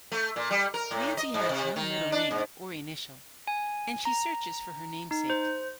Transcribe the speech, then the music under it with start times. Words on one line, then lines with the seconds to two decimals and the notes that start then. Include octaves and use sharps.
Nancy has no middle name or initial and she searches for her namesake.
0.12 A3
0.36 A#2
0.51 G3
0.74 A#4
0.91 A2
1.17 D#5
1.34 G#2
1.49 C3
1.76 D#3
2.12 D4
2.31 G#2
3.47 G#5
4.05 A#5
5.11 D#4
5.30 C5